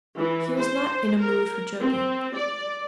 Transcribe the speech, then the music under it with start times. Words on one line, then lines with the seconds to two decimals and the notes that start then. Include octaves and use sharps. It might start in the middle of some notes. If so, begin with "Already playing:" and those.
He was not in a mood for joking.
0.17 E3
0.58 C5
1.18 A#4
1.80 C4
2.34 D5